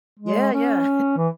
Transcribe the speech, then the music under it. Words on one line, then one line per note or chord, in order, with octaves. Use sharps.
Yeah, yeah.
G#3
C#4
E3